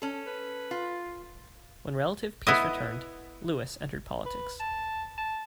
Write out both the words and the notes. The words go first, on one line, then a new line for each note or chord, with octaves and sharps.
When relative peace returned, Lewis entered politics.
C#4 A4
B4
F4
B3 E4 D#5
B4
A5
A5